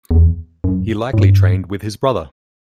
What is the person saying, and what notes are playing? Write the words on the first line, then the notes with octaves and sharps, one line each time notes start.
He likely trained with his brother.
E2
F#2
A2
G2